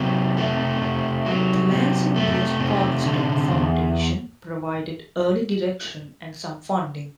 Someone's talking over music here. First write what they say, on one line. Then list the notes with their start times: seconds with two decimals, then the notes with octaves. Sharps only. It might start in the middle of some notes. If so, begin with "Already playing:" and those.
The Lansing-based Cornerstone Foundation provided early direction and some funding.
Already playing: C3 F#3
0.37 A3
0.82 C3
1.26 F#3
1.71 C3
2.16 A3
2.60 C3
3.04 D3
3.48 E2